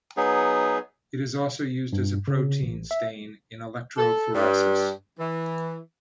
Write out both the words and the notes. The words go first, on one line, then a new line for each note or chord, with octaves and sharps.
It is also used as a protein stain in electrophoresis.
F#3 B3 D#4 G#4
G2
C#3
A1
E5
A4
G2
E3